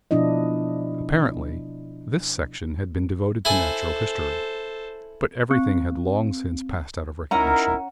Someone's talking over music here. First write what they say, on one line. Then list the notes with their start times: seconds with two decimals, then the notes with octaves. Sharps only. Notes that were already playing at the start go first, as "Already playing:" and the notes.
Apparently this section had been devoted to natural history, but everything had long since passed out of recognition.
0.11 B2 F3 D4 E4 D#5
3.45 E4 A4 C5 G#5
5.51 C4
7.31 C#4 D#4 E4 A#4 F#5 A#5